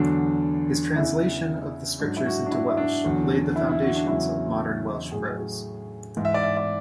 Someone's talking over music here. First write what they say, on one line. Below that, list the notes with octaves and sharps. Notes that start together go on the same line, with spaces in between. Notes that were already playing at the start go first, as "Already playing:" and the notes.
His translation of the scriptures into Welsh laid the foundations of modern Welsh prose.
Already playing: E2 D3 F#3 D4
E2 C#3 E3 E4
G#2 F#3 D4
E4
F#4
D4
E4
E4
D4
E2 D3 F#3
E4
E4
F#4
D4
E2 C#3 F#3 E4
A2 F#3 G#4
G#2 E3
E5
D5
E5
D5